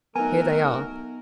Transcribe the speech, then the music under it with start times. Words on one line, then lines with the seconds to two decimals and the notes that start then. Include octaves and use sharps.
"Here they are."
0.16 F#3 A3 B3 D#4 A#4 G#5